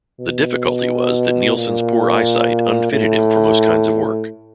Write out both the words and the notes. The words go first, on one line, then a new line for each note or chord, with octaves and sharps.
The difficulty was that Neilson's poor eyesight unfitted him for most kinds of work.
B2
A#2
A2